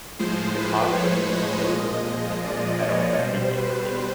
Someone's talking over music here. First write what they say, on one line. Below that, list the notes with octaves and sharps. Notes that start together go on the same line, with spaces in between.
The cost was to be split evenly between the Federal Government and the city.
A2 F3 G#3 C5
B4
C#5
D#5
A#2 F3 G#3 D#5
D5
C#5
B2 G3 C5
B4